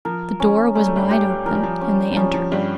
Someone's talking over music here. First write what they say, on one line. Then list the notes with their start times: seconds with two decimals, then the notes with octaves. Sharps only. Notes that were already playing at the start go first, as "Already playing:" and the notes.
The door was wide open, and they entered.
0.05 F3 A#4
0.40 C#4
0.75 G3 C#4
0.86 A3
0.96 G2 G3
1.11 G4
1.46 F3 A#4
1.55 G3
1.63 F3
1.81 C#4
2.12 G3
2.16 F3 C#4
2.34 F3
2.51 G2 G3 G4